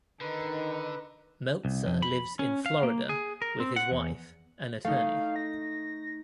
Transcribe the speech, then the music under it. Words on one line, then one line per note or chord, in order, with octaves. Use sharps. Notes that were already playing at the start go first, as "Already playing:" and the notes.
Meltzer lives in Florida with his wife, an attorney.
D3 D#3 D#4 B4
C2
F2
B5
C#4
F5
A#3
G#4
A#4
C4
F#5
E2
A3 D#4 F5
A#6